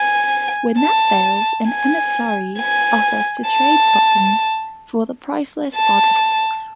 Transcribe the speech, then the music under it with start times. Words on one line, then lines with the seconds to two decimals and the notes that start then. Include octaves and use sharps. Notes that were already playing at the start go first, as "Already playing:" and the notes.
When that fails, an emissary offers to trade Barton for the priceless artifacts.
Already playing: G#5
0.79 A5
1.69 G#5
2.60 G#5
3.49 A5
5.76 A5